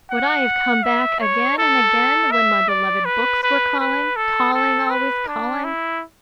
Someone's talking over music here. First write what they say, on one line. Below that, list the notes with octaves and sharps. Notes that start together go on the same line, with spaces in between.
Would I have come back again and again, when my beloved books were calling, calling, always calling?
F#5
E5
C#5
A4
E5
D5
B4
B4
B4
A4
A4
B4
D4
E4